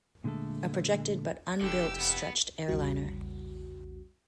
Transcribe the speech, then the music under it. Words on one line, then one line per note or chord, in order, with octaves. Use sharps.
A projected but unbuilt stretched airliner.
A#2 D3 G#3 A3 A4
F1 D3 G4 E6
B3
A#1 E2 C#3 G3 F#4